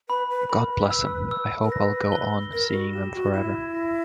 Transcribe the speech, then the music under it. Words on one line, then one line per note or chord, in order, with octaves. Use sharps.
God bless 'em, I hope I'll go on seeing them forever.
B4 B5
B4
A#4 B5
B4
E6
E6
A#4
B4 A#6
G7
A#4 A#6
F#4
G4 E7
F#4
E4 E7
A#6